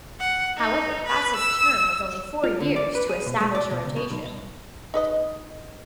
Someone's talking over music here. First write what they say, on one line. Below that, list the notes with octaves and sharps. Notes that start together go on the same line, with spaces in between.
However, Bassett's term was only four years to establish a rotation.
F#5
D#4
B4
E6
F4
D3
D5
B4
G#4
B2
G#3
D5
B2
C#2
B2
B1
D#4 B4 D#5